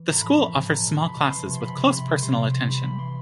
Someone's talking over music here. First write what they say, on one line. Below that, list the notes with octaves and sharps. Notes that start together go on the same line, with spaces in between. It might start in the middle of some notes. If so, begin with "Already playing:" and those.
The school offers small classes with close personal attention.
Already playing: E3
A2 A#5
B5
F3 A#5
A2 B5
A2
B2 A#5
B2
C6
B2 B5
B2
F3 C6
C3
C6
C3 B5
C3
C6
C3 B5
G3
C3 C6
G3
E3 C6
G3 B5
E3 B5
E3 C6